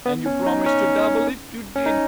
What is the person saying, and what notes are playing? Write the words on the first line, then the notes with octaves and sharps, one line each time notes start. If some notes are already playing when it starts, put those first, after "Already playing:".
And you promised to double it--you did!
B3
C#4
D#4
C#4
C#4
D#4